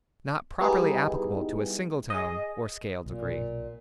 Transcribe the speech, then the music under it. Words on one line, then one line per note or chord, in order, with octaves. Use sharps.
Not properly applicable to a single tone or scale degree.
G3 B3 D#4 E4 G4 G#4
G#4 D#5
B1 A#2